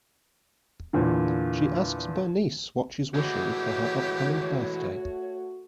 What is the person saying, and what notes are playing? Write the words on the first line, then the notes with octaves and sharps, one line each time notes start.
She asks Bernice what she's wishing for her upcoming birthday.
E2 A#2 D3
E3 G#3 A3 F#4 G4 C#5